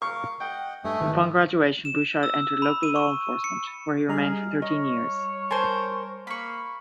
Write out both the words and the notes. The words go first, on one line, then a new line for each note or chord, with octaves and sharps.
Upon graduation Bouchard entered local law enforcement where he remained for thirteen years.
A#4 F5 C#6
D#5 F#5 G5
G2 A3 D#5 G#5 D#6
G#1 D#3 E3 B4
E7
E6
B5
D#7
C#6
C#7
G3 G#4 D#5 A#5 F6
C#5 D#5
A#4 C5 G#5 A5 C6
A#3 B5 C#6